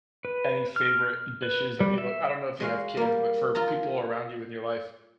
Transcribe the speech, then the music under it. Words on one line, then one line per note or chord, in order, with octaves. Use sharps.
any favorite dishes that you look I don't know if you have kids, but for people around you in your life,
B4
F6
B4
G3
E5
G#3 F#4 F5
G3 A#3
F4 A5 A#5